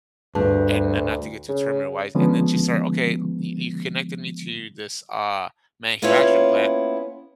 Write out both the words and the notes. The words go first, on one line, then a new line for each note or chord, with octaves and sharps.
and not not to get too Terminator wise, and then just start, "Okay, y y you connected me to this, uh, manufacturing plant,
D2 G2 G#4 B4 A5
C#3
D3 F3 G#3 B3 C#4
A#3 B3 C#4 E4 F4 C#5